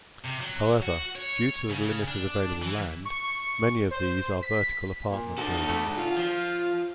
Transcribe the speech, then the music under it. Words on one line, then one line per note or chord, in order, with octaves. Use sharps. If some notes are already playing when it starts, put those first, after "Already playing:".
However, due to the limited available land, many of these are vertical apartment buildings.
C3
F#3
F#4
C#5
C#3
D4
E3
C#6
C5
B6
A#2
F#4 A4
A3
G#2
F4
F3